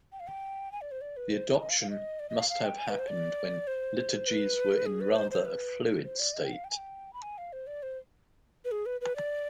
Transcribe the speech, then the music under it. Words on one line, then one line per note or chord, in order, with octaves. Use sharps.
The adoption must have happened when liturgies were in rather a fluid state.
G5
F5
G5
G#5
D5
C5
D5
B4
C5
D#5
F5
F5
D#5
D5
D#5
F5
F5
G5
G#5
B4
C5
D5
C5
B4
G#4
B4
C5
C5
B4
C5
D5
D#5
G5
F5
G5
G#5
G5
B5
G#5
F5
C5
D5
C5
B4
G#4
B4
B4
D5